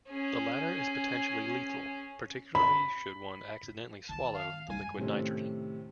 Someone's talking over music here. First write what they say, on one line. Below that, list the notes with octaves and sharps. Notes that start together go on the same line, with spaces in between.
The latter is potentially lethal, particularly should one accidentally swallow the liquid nitrogen.
C#4 G#4
B5
D#3 C4 A5
F5
F#2 G3 G#5
A2 C3 D#3 A3 C4 C#4